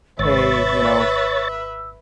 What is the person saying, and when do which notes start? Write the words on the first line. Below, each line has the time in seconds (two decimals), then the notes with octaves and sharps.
"Hey," you know,
0.19 G#1 B4 C#5 E5 E6 A6